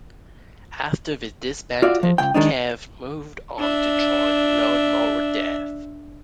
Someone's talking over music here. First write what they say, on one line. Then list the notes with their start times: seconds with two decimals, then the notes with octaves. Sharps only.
After they disbanded, Kev moved on to join Lawnmower Deth.
1.82 F4 F#4 D5 E5
2.03 F3
2.18 C#2 G5
2.34 D#3 G#3 D4 D#4
3.58 D4 E5